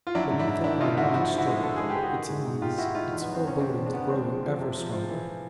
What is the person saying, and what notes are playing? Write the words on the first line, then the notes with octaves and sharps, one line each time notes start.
Beneath it my mind struggled, its unease, its forebodings growing ever stronger.
F4
F#3 D4 E4
G#2
D4 E4
G#2
D#3 D4 E4
D#3 D#4 F4
G#2 E4 F#4
F3 E4 F#4
D3
E4 F#4
G#3
D3 A4
G#3 G#4
G4
G#3
F#4 G#4
D#3
G#2
G#2
G#2 F4 G4
G#2 E4 F#4
G#2 D#4 F4
E2
B3
F#3
C4
E2 C#4
E2 C4 D4
E2
D4
C#3 B3 C#4
G#3 C4 D4
F3
F3
C3
F3
F3
E3